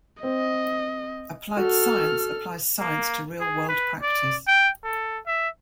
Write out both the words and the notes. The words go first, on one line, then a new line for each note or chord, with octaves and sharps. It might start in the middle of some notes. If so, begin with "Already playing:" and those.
Applied science applies science to real world practice.
C4 D#5
F#4 A4 F6
A#3
G#4
B4
D5
G5
A4
E5